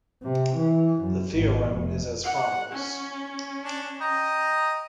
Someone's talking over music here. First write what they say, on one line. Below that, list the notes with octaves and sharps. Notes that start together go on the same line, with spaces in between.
The theorem is as follows.
C3
E3
F#2
G#1
F1
F#5
C#4
D4
D#5 G5 A#5